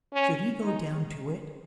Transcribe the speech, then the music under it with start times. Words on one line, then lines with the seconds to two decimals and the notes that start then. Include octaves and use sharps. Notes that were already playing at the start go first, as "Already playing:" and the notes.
Should he go down to it?
0.13 C#4
0.63 D#4